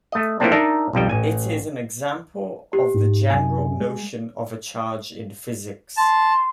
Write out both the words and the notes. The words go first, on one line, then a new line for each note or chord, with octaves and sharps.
It is an example of the general notion of a charge in physics.
A3 D#5
E3 F3 A3 A#3 C4 D4
D4 D#4 A#4 E5
B1 F2 G3 G5
A1 G#5
G4
G#2
F#2 C3 G#5
G#3
A5 C6